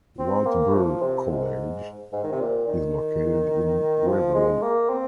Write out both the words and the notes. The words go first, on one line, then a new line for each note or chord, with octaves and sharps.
Wartburg College is located in Waverly.
C4
A#3
F3
C3
G#2
G#2
D#3
C3
A#2
D#3
F3
G#3
A#3
C4